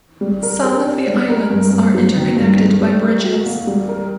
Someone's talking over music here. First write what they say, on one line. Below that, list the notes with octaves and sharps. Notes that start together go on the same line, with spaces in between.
Some of the islands are interconnected by bridges.
G3
A#4
G4
D4
G3
A#4
G2
G2
F#3
D#3
G2
G2
G3
A#4
F#4
A#3
G3
A#4